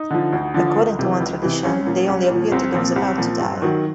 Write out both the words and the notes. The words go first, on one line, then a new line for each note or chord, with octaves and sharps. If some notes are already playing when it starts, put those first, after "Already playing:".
According to one tradition, they only appear to those about to die.
Already playing: D#4
D3 F3
D2
D3 F3
C#2
C3 E3
C#2
C3 E3
C2 C#4
A#2 F3
C2
A#2
F3
C2 C4
A#2 F3 C4
C2
A#2 F3
G2
D#3 F#3